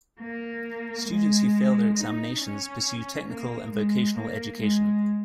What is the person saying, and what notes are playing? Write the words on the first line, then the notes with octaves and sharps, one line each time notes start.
Students who fail their examinations pursue technical and vocational education.
A#3
G#3
D#4
C#4
A#3
G#3
A#3
G#3